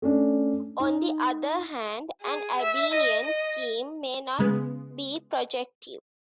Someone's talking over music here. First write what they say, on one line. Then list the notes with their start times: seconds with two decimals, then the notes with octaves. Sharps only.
On the other hand, an abelian scheme may not be projective.
0.02 A3 C#4 D4
0.80 D#4
2.22 G#4
2.60 E5
2.92 D#5
3.24 D#5
4.39 C#3 G#3 B3